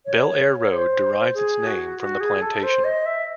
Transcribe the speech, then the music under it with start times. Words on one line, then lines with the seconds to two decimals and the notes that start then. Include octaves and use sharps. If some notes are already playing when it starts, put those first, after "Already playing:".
Bell Air Road derives its name from the plantation.
0.06 C#5
0.70 C5
1.34 G#4
1.66 F#4
1.99 F#4
2.20 G#4
2.42 A4
2.63 C5
2.84 D#5
3.06 E5